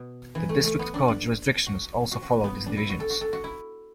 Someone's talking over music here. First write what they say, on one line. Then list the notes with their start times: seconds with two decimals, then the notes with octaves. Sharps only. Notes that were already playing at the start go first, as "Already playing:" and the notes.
The district court jurisdictions also follow these divisions.
Already playing: B2
0.35 E3
0.49 A3
0.64 A3
0.79 B3
0.94 D4
1.08 D4
1.67 F#4
2.12 F#4
2.23 F#4
2.44 B3
2.66 D4
2.77 E4
2.89 F#4
3.00 A4
3.10 F#4
3.21 A4
3.33 F#4
3.44 E4